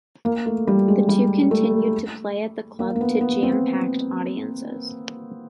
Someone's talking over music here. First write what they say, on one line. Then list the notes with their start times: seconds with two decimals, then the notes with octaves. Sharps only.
The two continued to play at the club to jam-packed audiences.
0.25 A#3
0.46 A3
0.67 G3
0.88 G#3
1.09 G3
1.51 A3
2.79 A#3
2.96 A#3
3.01 B3
3.21 B3
3.43 C4